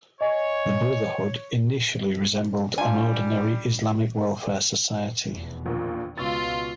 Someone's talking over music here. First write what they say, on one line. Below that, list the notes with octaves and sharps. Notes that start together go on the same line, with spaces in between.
The Brotherhood initially resembled an ordinary Islamic welfare society.
C#5 D#5 G#5
G3 D4 F4 G#5
F1 E2 B2
A#1 D#2 A#2 F4
C#2 B2 F4 C#6 E6 A6